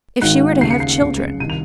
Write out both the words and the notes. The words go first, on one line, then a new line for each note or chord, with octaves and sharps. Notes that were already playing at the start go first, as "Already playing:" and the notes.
If she were to have children!
G#1 G#2 D#3 F#6
D#2 C#3 C7
C#7
C7
C#2 C#3
C2 C3 D#3 D#7
F7